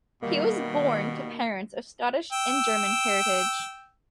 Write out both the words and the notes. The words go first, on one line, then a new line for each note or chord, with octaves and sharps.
He was born to parents of Scottish and German heritage.
B2 D#3 G3 A#3
G5 E6